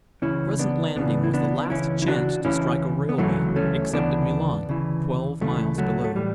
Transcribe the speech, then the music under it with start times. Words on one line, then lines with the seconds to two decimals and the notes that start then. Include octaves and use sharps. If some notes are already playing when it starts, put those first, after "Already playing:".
The present landing was the last chance to strike a railway, except at Milan, twelve miles below.
0.22 C#2 C#3 E3 C#4 E4
0.59 B3 D4
0.96 C#2 C#3 E3 B3 D4
1.24 E4
1.34 B3 D4
1.65 D4
1.70 C#2 C#3 E3 C#4 E4
2.02 E4
2.08 D4 F#4
2.45 C#2 C#3 E3 C#4 E4
3.09 B3
3.18 D2 C#3 E3 F#3 A3
3.56 A3 C#4
3.93 D2 C#3 E3 B3 D4
4.67 D2 C#3 E3
5.41 D2 C#3 E3 F#3 A3
5.78 F#3 A3
6.04 A3
6.15 A2 E3 G3